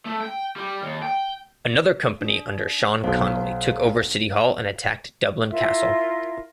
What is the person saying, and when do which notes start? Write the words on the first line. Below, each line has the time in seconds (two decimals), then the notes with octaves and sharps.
Another company under Sean Connolly took over City Hall and attacked Dublin Castle.
0.06 A3
0.21 G5
0.56 G3
0.83 D#2
1.03 G5
2.21 D4
3.04 B1 C5 F5
5.50 E4 F4 A#4 E5